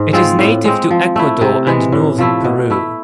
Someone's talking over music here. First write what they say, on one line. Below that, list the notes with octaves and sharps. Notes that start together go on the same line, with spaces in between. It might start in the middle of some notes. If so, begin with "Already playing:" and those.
It is native to Ecuador and northern Peru.
Already playing: G#2
G#3 C4 F4
A2
G#3 C4
F3
A3 E4
C3
E3 G#3
A2
F3 A3 E4
B2
A3 E4